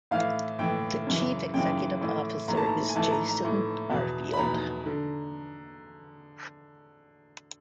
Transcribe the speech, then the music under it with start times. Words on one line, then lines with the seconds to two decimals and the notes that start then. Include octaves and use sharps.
The Chief Executive Officer is Jason Harfield.
0.11 A2 E3 F5
0.59 A2 E3 G5
1.07 F#2 C#3 E3
1.54 F#2 C#3 E3 G5
2.01 A2 E3
2.48 A2 E3 A#5
2.57 A5
2.66 A#5
2.89 G#5
2.95 A2 E3 A5
3.11 A#5
3.28 A#5
3.43 A2 E3
3.90 E2 B2
4.34 B5
4.37 E2 B2 A#5
4.86 D3